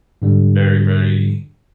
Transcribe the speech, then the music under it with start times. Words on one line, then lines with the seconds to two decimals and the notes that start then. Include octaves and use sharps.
very, very
0.22 G#2 D3 G3